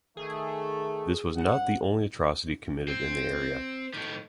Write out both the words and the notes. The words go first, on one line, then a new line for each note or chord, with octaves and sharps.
This was not the only atrocity committed in the area.
D#3 A3 G#4
G2 F#5
C4
A2 D#3